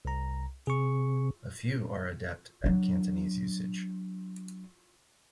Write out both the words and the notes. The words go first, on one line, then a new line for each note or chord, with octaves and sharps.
A few are adept at Cantonese usage.
C2 A#5
C3 G#4 C#6
F#3 D4